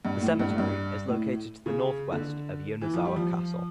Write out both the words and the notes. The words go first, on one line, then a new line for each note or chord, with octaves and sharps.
The cemetery is located to the northwest of Yonezawa Castle.
G2
A2
G2
A2
G2
A2
C#3
D3
E3
F3
G3
F3